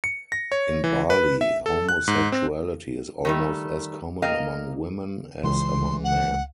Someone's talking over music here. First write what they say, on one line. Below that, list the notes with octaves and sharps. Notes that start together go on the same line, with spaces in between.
In Bali, homosexuality is almost as common among women as among men.
C#7
A#6
C#5
E3
B4
E5
A4
F#6
G#2
C4
D#3 G3 A3
A#3 A#4 D#5 F5 G5
C#2 E3 C6
F#5